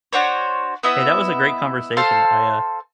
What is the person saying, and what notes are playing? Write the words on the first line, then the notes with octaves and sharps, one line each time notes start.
Hey, that was a great conversation. I, uh
D4 F#4 C5 C#5
B3 E4 D#5 E5
A4 C5 F5 A5